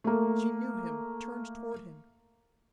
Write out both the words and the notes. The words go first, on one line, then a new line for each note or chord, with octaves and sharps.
She knew him, turned toward him.
A3 A#3